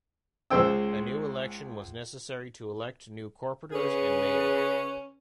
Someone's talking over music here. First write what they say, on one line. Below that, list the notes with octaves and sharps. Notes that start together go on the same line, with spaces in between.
A new election was necessary to elect new Corporators and Mayor.
C#2 G#3 C5 G5 E6
C#3 C#4 G#4 B4